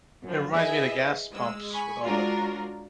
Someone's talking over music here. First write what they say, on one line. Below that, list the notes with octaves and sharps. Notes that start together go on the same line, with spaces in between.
it reminds me of the gas pumps, with all the
F#2 F3
E4 G#4 B4 D#5 E5 G#5
G#3 E6
G#5 B5 C#6
G#3 D4 F4 F#4 A#4 C#5